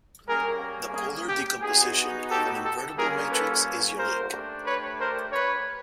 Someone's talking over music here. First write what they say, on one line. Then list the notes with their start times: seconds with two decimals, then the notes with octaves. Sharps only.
The polar decomposition of an invertible matrix is unique.
0.27 G3 A#3 C#4 G#4 A#4
0.94 G#4
1.28 G4
1.62 B3 D#4 F#4 G#4
2.29 G4 A4
2.63 G4 A4
2.96 G3 A#3 C#4 F4 G#4 A#4
3.30 A4 B4
3.97 A#4 C5
4.31 A3 D4 G4
4.65 B4 C#5
4.98 A#4 C5
5.32 B4 C#5